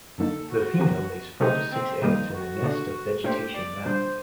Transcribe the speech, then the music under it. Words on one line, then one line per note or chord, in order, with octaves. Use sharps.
The female lays four to six eggs in a nest of vegetation mound.
F#2 D3 F#3 A#3 D#4 A4
F#4
F#3 C4 G4 A#4
C3 F#3 A3 C4 D#4 G4
C4
C3 D#3 G3 A#3 D#4
F#4
A#2 A3 D4
A#2 A3 D4 G4 A4 C5
D5
A#2 G3 D4 C5